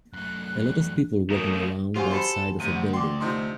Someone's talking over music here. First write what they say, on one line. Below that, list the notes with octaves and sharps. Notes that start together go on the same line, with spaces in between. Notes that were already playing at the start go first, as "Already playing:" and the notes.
A lot of people walking around outside of a building.
F#2 A3 F#6
F#3 A3 A#3 D#4 A#4 D#6
B1 F4 G4 C5 F#5 G#5
A4 C5 B5 C6
D2 C3 D#7
F#5
G5 C6 D6
C3 F3 D#4 C6